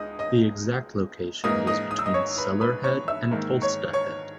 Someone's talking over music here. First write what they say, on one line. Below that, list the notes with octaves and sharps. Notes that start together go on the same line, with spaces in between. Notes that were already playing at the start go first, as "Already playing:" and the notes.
The exact location was between Cellar head and Tolsta head.
Already playing: C#2 G#3 D#5 D#6
D#5 D#6
G#2 E3 A#3 D#5 D#6
D#5 D#6
D#6
E6
D#5 D#6
C#5 C#6
B4 B5
B4 B5
C#5 C#6
E5 E6
G#2 D#3 A#3
C#5 C#6
C#5 C#6